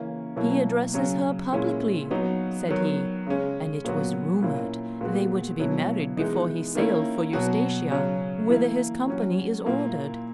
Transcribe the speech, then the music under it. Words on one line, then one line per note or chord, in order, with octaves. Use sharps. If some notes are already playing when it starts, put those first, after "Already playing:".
"He addresses her publicly," said he, "and it was rumoured they were to be married before he sailed for Eustatia, whither his company is ordered."
Already playing: C#3 E3 A#3 C#4
B2 F#3 A#3 E4
C#3 F#3 C#4
A#2 G#3 C#4 E4
F#3 B3 D#4 F#4
D#3 F#3 B3
C#3 G#3 C#4
A#2 F#3 B3 F#4
A#2 A#3 C#4 E4
A#2 G#3 B3 F#4
B2 F#3 B3 E4
E3 G#3 B3 D#4
D#3 A#3 C#4 E4
B2 F#3 B3 F#4
C#3 F#3 C#4
E3 A#3 E4
F#3 C#4 F#4
A#2 A#3 E4